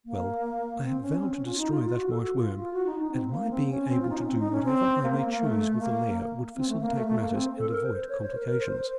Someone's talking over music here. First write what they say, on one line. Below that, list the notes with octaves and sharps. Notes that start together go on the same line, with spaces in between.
"Well, I have vowed to destroy that White Worm, and my being able to do whatever I may choose with the Lair would facilitate matters and avoid complications."
A#3
C4
C#4
C4
C#4
F4
D#4
F4
F4
F#4
A4
F#4
F4
F4
F#4
D#4
D#4
C4
A#3
C4
C#4
C4
F4
D#4
C#4
C4
D#4
C#4
C4
A#3
A#3
A#3
A3
A#3
C4
A3
A#3
A3
A3
A#3
C4
A4
A#4
C5
C5
C#5
C5
A#4
A#4
C5
C5